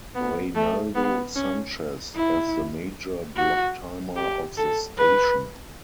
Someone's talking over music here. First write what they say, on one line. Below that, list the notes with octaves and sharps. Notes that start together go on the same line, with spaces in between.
Reynaldo Sanchez as the major blocktimer of the station.
B3
A3
B3
C#4
E4
F#4
G4
A4
B4